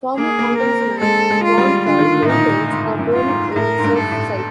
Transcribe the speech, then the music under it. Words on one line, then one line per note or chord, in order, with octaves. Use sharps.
Former Congressman Ron Paul maintains a home in Surfside.
A#3 G#4
A#3
C4 A#4
C4
G#3 A4
G#3
F4
G3
D3 F4
D#3
D3
A2
A#2 D#4
G#2
F#2
F4
G#2
G#2
A2 A#4
G#2
G2
A4
A2